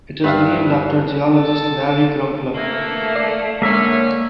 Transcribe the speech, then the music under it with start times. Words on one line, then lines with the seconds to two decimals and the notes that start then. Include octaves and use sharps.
It is named after geologist Larry Crumpler.
0.24 G2 B4 E5 F5
1.34 A4 A5
2.55 D3 E3 A3 A#3
3.15 D5 C7
3.62 D3 G#3 A#3 C#4 E5